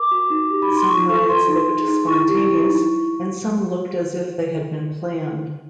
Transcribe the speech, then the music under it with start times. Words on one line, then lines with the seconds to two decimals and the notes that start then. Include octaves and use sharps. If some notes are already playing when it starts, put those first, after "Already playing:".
Some riots looked spontaneous and some looked as if they had been planned.
Already playing: A#4 D6
0.11 F#4
0.30 D#4
0.50 G4
0.62 B5
0.70 D#4
0.76 C6
0.89 F4 C#6
1.09 A4 C#6
1.29 F4 C6
1.48 D#4
1.68 G#4
1.88 D#4
2.07 E4 C#6
2.28 G4
2.47 E4
2.67 D#4